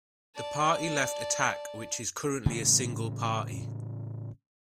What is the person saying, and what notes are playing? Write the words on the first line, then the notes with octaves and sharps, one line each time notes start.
The party left Attack which is currently a single party.
D5 A5
A2 C#3 E3 G#3